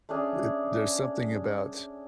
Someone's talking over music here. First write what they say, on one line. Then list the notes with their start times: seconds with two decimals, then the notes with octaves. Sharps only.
a there's something about,
0.09 A3 C#4 D4 G#4